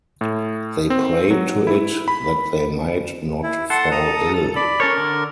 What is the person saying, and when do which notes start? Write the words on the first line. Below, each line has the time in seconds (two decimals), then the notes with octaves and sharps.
They prayed to it that they might not fall ill.
0.21 A2
0.90 C4
1.30 F#3
1.67 E4
2.08 B5
3.43 E4
3.70 A4 F#5 C6
3.92 A#5 D#6
4.56 D5 B5
4.80 C#4 A4 A#4 C#5
4.98 D3